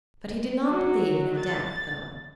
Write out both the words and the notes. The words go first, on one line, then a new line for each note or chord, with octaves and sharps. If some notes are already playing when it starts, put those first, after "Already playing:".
But he did not believe in a damp home.
F#3
A6